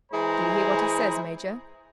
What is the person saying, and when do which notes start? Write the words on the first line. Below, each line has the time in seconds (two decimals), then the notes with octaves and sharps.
"Do you hear what he says, major?"
0.12 E3 G#3 E4 G#4 C5 A#5